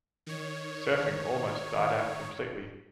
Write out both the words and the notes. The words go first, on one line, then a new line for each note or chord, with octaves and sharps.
Surfing almost died out completely.
D#3 C#5